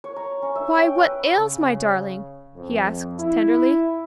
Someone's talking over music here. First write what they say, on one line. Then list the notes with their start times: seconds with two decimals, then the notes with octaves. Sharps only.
"Why! what ails my darling?" he asked tenderly.
0.04 C#5
0.16 A#5
0.42 C#4
0.56 E5
0.77 G5
0.98 B4
1.38 C#3
2.55 F2
3.18 E4